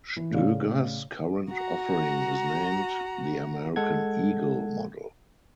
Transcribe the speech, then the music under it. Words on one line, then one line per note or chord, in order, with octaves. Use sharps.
Stoeger's current offering is named the "American Eagle" model.
E3
A2 C#3 D5 F5
F#4 A#5
G#3 A4 F#5 G#6